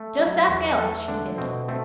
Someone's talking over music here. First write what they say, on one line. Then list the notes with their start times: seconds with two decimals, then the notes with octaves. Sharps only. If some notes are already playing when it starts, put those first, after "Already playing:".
"Just ask Alex," she said.
Already playing: A3
0.19 F#3
0.49 E2 F#4
0.70 B4
0.78 A3 A4
1.08 D3 D4
1.38 B2 C4
1.68 A3 C4